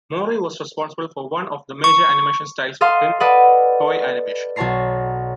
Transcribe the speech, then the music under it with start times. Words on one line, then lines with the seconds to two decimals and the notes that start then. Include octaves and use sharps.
Mori was responsible for one of the major animation styles within Toei Animation.
1.84 C#6
2.81 A4 D#5 F5 C6
3.20 A4 B4 D5 D#5 F#5
4.56 B1 F#4 C#5 A5 A#5 C7